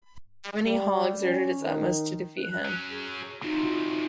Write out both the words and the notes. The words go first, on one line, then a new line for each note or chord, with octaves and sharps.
Tammany Hall exerted its utmost to defeat him.
G3
C#4
D#3
F#6
F#3 C#4
G#4
E2 C3 D#4 F4 F#4